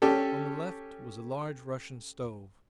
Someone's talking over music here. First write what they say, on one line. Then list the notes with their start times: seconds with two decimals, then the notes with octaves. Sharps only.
On the left was a large Russian stove.
0.02 C#4 G4 A4